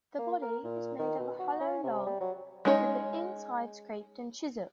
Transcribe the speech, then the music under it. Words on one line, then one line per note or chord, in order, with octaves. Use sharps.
The body is made of a hollow log, with the inside scraped and chiseled.
A#3
A#4
A#2
D#3
B2
F#4
C#4
C3
G3
F#3
G#3 C#4 D#4 A#4 C#5